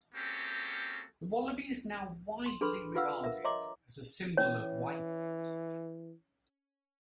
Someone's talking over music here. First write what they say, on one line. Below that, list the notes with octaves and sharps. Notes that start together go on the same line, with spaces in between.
The wallaby is now widely regarded as a symbol of Waimate.
A#3 C4 C#4 F#4 G4 A4
C6
D4 G#4 A4 B4 B5 C6
F4 B4 F5 F#5 E6
A#4 E5
C#5 D#5 E5 A#5 C6 D6
E3 C#4 C#5